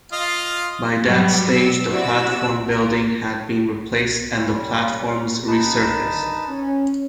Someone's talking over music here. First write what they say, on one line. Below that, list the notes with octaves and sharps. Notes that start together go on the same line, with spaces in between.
By that stage, the platform building had been replaced and the platforms resurfaced.
F4 D#5 F5
G#2 F#3 G3 B3
E6
C3 E4 F#4 D5 E6
A#4
G3 C#4
A#3 C#4 D#4 G4 B4 A5
G2 D3 D#3
C#4